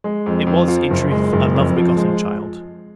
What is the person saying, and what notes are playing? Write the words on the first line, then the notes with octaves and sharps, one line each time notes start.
It was, in truth, a love-begotten child!
G#3
F2
F2
F3
F#1
G#3
F#1
F2
F3
G#3